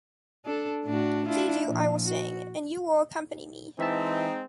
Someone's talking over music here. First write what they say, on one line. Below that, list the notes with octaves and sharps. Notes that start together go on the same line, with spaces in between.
To please you, I will sing, and you will accompany me.
D4 A4
A2 D4 F#4
D4 E4 F4
A#2 F3
F#4
E3 G#3 C4 D#4 E5 A5